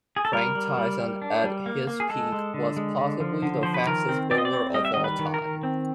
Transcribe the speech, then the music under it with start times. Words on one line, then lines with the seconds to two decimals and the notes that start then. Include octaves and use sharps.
Frank Tyson, at his peak, was possibly the fastest bowler of all time.
0.16 G#4
0.25 A4
0.33 G3 A#4
0.55 G3
0.77 G3
0.99 G3
1.22 D4
1.44 G3
1.66 A#3
1.87 A#3
2.00 G#4
2.10 G#3 A4
2.32 G#3
2.54 D3
2.77 G#3
2.98 D3
3.20 F3
3.42 D3
3.63 F3 C5
3.74 B4
3.86 D#3 A#4
4.09 C4
4.31 C4 D5
4.38 D#5
4.45 D5
4.53 C4
4.74 G3 D#5
4.85 E5
4.94 D#5
4.97 D#3
5.04 B4
5.19 D#3
5.34 A#4
5.41 D#3
5.63 C4